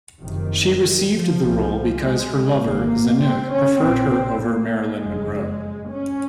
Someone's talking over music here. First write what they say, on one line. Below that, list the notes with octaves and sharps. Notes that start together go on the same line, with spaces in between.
She received the role because her lover, Zanuck, preferred her over Marilyn Monroe.
F#1 F2 C3 D#3
F3
C2 C3
G#3
G#1 G#2 A#3
C4
C#4
A#1 A#2 C4
A#3
F#1 F2 C#3 G#3
C#4